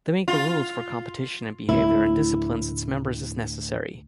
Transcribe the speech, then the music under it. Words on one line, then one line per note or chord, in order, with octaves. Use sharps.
They make the rules for competition and behavior and disciplines its members as necessary.
F4
D2 A2 E4